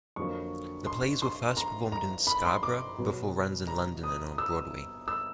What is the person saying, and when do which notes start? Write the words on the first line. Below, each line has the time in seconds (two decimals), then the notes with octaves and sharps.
The plays were first performed in Scarborough, before runs in London and on Broadway.
0.16 F2 D3 F#3 A#3 C#6
0.87 C6
1.22 C6
1.57 A#5
1.92 A#5
2.27 B5
2.46 C6
2.63 D6
2.98 B2 F#3 B3
3.67 A#5
4.04 D#6
4.38 E6
5.08 E6